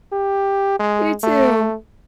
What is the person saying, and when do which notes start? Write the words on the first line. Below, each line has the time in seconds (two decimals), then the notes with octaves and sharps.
You too.
0.12 G4
0.79 G#3
1.23 A3